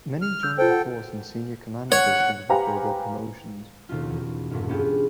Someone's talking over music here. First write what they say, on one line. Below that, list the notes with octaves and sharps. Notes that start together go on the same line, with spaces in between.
Many joined the Force in senior command postings before their promotions.
F6
E6 G6
F4 A4 C5 G5
F#5
C#5 F#5
G4 B4 C5 F5 G#5 A#5
D#2 B2 C#4 F4
E2
G#1 E2 G2 A#2
B3 C#4 D4 F4 G4 G#4